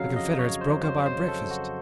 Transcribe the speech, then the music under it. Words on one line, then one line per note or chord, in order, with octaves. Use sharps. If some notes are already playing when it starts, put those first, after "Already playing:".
The Confederates broke up our breakfast.
Already playing: F2 C#3 F#3 F5
D#5
C#5
C5
C5
C5
A4
F#4